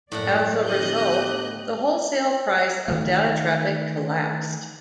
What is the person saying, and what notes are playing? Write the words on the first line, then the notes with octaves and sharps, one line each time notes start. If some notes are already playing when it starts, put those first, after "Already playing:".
As a result, the wholesale price of data traffic collapsed.
F#2 A2 F#3 A#3 A4 D5 F#5
D3 A3 B3 G4 D#5 F#6 G6
D#3 E3 A3